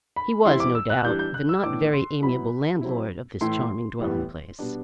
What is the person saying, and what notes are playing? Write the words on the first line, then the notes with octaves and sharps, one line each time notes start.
He was, no doubt, the not very amiable landlord of this charming dwelling-place.
B5
E3 G3 C4 E4 C6
D6
E6
F#6
E3 G3 D4 G6
G6
F#6
E6
A2 E3 B3 D4 D6
C6
F#3 B3 E4 B5
F#3 C4 E4
A2 E3 A3 E4 C6
A2 E3 G3 B3
B2 G3 B3 D4